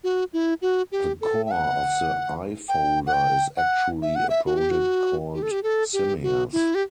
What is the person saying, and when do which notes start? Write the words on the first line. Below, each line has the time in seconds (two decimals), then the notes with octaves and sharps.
The core of the iFolder is actually a project called Simias.
0.04 F#4
0.33 E4
0.62 F#4
0.92 G4
1.21 A4
1.46 E5
1.51 F#5
2.69 G5
3.07 F#5
3.13 G5
3.57 F#5
4.02 E5
4.15 F#5
4.30 E5
4.46 F#4
4.57 G4
4.70 F#4
5.34 G4
5.43 A4
5.51 G4
5.63 A4
5.93 G4
6.23 F#4
6.53 E4
6.75 G4